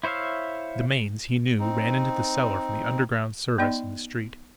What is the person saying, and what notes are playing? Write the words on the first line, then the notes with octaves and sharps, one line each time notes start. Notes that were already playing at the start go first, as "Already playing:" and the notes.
The mains, he knew, ran into the cellar from the underground service in the street.
E4 C5 C#5 E5 F5
C4 D#4
B3 D#4 D5 D#5 G5 C6